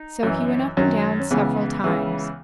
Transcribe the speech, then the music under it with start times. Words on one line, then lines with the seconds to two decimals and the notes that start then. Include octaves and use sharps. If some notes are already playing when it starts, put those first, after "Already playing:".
So he went up and down several times.
Already playing: D#4
0.23 F#2 E3
0.77 F#2 D#3 F#3 C#4
1.20 C#4
1.31 C#2 C#3 E3 B3
1.84 C#2 C#3 E3